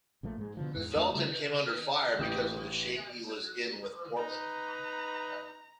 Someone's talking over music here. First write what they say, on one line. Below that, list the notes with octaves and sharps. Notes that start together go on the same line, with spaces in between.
Felton came under fire because of the shape he was in with Portland.
A#1 A#2 F3 A3
G#2 G#3
B2 D3 F3
A1 E2 G#2
E2 A3 B3 D4
C#3 G3 A3
A1 E3 G4 D#6 G6
D#4 B4 A#5